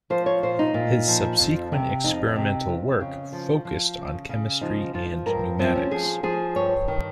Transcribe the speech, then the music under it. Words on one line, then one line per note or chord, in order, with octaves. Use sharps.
His subsequent experimental work focused on chemistry and pneumatics.
F3 C5
C#5
A#2 C5
D#4
A#2
F3
F2
C3
F2 D#4
C3
F2
C#3
F3
F3
C#3
C#3
F3 D#4
F3 F4
G2 A#4
F3 C4
C#4
F3 G#4
F3 G#4
G2 C#5
D#3